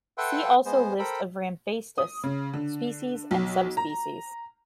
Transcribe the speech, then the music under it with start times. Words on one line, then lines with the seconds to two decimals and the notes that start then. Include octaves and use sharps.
See also List of Ramphastos species and subspecies.
0.18 A4 B4 E5 F#5 G5 C6
0.65 G#3 B3 C5
0.99 A4 A#4 C5 G5 B5
1.98 D#6
2.23 C#3
2.54 D3
3.31 B1
3.77 A#5